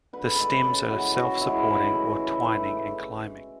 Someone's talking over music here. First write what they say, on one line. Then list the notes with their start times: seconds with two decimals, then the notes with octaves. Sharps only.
The stems are self-supporting or twining and climbing.
0.13 D3 B4
0.25 A4
0.36 G#3 B4
0.64 C#3 A4
0.90 E3 G#3 F#4
1.16 C#3 F#4
1.41 E3 G#3 E4
1.68 C#3
1.93 E3 A3
2.19 C#3
2.45 E3 A3